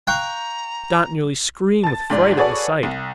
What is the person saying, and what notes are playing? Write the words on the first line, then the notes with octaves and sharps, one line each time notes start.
Dot nearly screamed with fright at the sight.
F5 G5 A#5 C#6 F#6
A5 A6
D2 G#2 D5
F#4 G#4 A4 B4 C#5 D5
C2